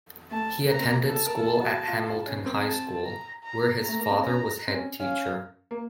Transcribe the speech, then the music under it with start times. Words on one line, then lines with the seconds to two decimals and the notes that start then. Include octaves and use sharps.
He attended school at Hamilton High School, where his father was head teacher.
0.31 A3 A5
0.70 A#3 A#5
0.80 C4
0.91 A#3
1.09 A4 A5
1.27 A#4
1.36 A4
1.62 F#4
1.88 F4
2.07 F4
2.27 C#4
2.46 C4
2.65 A5
3.05 A#5
3.44 A#5
3.83 A3 A#5
3.99 A#3
4.11 C4
4.22 C#4 A#5
4.67 C4
4.74 C#4
5.00 C#4 F5
5.71 A#3